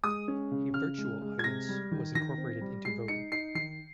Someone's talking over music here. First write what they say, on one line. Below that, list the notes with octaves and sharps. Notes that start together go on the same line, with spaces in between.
A "virtual audience" was incorporated into voting.
G#3 D#6
C#4
C#3
C#3 F6
G#3
G#3
G#6
C3 A#6
G3
D#3
D#3 A#6
C4
G3
G#3 C7
D#4 C#7
D#4 C7
D#3 C7